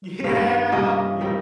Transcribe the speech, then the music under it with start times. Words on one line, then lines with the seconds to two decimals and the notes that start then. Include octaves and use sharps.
Yeah. Yep.
0.24 G2 D#3 G3 C4 F5
0.72 C3 G3 C#4 F4 D#5
1.21 D#3 G3 C4